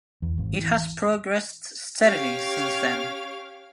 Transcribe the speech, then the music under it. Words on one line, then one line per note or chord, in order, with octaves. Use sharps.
It has progressed steadily since then.
E2
G#1
E3
C#4 G4 C#5 F5 F6